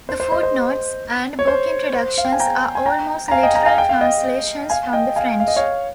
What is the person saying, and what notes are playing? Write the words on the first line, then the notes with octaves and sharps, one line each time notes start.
The footnotes and book introductions are almost literal translations from the French.
C5
C5
C5 D#5
C5
C#5
C5
C5
F5
G5
G#5
G5 A#5
G#5
G5 A#5
A#5
F5 G#5
D#5 G5
G5 A#5
F5 G#5
G5
F5
D#5 G5
F5 G#5
D#5 G5
F5 G#5
F5
D#5
C#5 F5